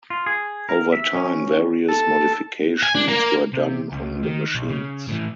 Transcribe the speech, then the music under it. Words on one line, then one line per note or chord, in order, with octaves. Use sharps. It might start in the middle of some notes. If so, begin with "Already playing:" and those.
Over time various modifications were done on the machines.
F4
G#4
A#4
E5
C#4
A4
G#5
D4
A#3
C3
C#2
D#3
B1
C#3
A2 E3